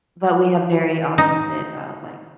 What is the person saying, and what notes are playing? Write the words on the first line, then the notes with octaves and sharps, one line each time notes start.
but we have very opposite, uh, like,
D#4